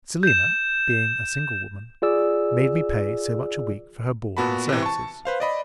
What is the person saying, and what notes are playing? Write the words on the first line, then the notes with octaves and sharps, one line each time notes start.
Selina, being a single woman, made me pay so much a week for her board and services.
G6 E7
F4 G#4 D5 E6
A#2 B3 F#4 A5 B5
C3 E3
A5 C#6
B4 C5 F5
D5 D#5 B5